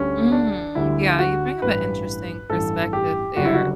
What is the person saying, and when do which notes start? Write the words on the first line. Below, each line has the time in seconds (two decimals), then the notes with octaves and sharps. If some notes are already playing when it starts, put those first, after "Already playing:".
Mm, yeah, you bring up a interesting perspective there.
Already playing: D2 D3 G3 C#4
0.32 D4
0.75 D2 D3 G3 E4
1.19 F#4
1.62 A1 G2 E3 B4
2.50 A1 G2 E3 A4
2.93 G4
3.37 F#1 F#2 D3 G3 F#4
3.45 E4
3.54 F#4